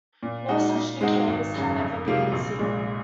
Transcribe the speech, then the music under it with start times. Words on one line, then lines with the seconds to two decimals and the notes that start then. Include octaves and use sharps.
No such decays have ever been seen.
0.23 A#2
0.49 G#3 D#4 F#4
0.75 A#2
1.01 G#3 C4 D#4 F#4
1.28 G#1
1.54 F#2 C#3
1.80 F2
2.06 C3 F#3 A#3 F4
2.32 A#1
2.59 A#2 G#3